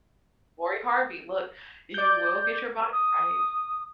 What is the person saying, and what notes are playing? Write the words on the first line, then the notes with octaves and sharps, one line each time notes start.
Laurie Harvey, look, you will get your body right.
D5 G6
D#6